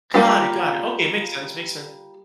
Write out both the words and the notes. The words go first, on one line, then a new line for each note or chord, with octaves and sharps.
Got it, got it, okay. Makes sense, makes sense,
G3 A#3 F4 G4